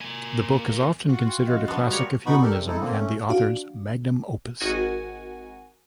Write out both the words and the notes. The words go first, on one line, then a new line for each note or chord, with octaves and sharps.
The book is often considered a classic of humanism and the author's "magnum opus".
A#3 G#5
F4 F#4
G5 C6
F3 C#4 D#5 F5
B3 D4
G3 A#3 G4 C#5 D5 C#7
B2 B3 D#4 F#5 B5 C#6
G4 A4 A#4 D5
C3
G#3 D#4 E4 A4
D3 A#3 C4
A3 C#4
D4 F#4 F5
G#1 D#3 F#4 G#5